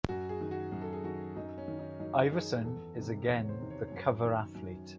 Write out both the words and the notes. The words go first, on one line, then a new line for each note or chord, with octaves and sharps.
Iverson is again the cover athlete.
F#2 F#4
G#4
D#3
F#4
F#2
A4
G#4
D#3 F#4
F#2 D#4
C#4
D#3
D#4
F#2 D#4
D#3 G#4
E2 A4
C3 D#3
E2
C#5
C5
C3 D#3
C#5
F#2 C#5
D#3
F#2